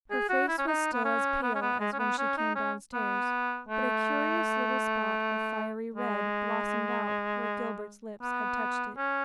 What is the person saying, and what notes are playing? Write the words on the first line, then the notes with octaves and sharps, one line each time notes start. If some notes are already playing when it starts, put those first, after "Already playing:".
Her face was still as pale as when she came downstairs, but a curious little spot of fiery red blossomed out where Gilbert's lips had touched it.
G#4
F#4
E4
C#4
D#4
B3
C#4
B3
C#4
B3
G#3
C#4
B3
C#4
D#4
C#4
B3
A3
G#3
B3
C#4